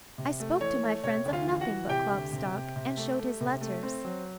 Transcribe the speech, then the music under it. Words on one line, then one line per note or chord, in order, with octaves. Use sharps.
I spoke to my friends of nothing but Klopstock, and showed his letters.
C3
A3
E3 C#5
A3
C3 C#5
D2
F4 F5
E3
F#4 F#5
E3
C3 G4 G5
D2
C3
C3
C3
A3
A3
C3
A3
C4
F#3